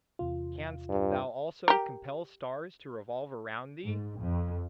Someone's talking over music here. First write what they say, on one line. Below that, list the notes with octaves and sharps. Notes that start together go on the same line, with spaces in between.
Canst thou also compel stars to revolve around thee?
E2 C3 F4
G2
G4 A#4
G#2
F2